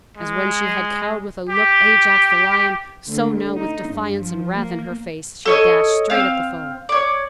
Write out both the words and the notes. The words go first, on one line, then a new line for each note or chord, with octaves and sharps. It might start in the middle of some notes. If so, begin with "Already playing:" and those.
As when she had cowed with a look Ajax, the lion, so now, with defiance and wrath in her face, she dashed straight at the foe.
G#3
G4
D2
D#4
G2
F3
A#3
A4 C#5 D#5
C4 F5
C#5 D5